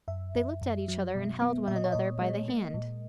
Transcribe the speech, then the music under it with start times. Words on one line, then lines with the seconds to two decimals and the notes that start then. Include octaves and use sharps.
They looked at each other and held one another by the hand.
0.08 F#2 E5
0.35 F#2
0.62 F#2
0.88 F#3
1.15 B2
1.42 B3
1.68 A#2 E5
1.76 D#5
1.84 C#5
1.92 A#2 D#5
2.21 G#3
2.48 A#3
2.74 A#2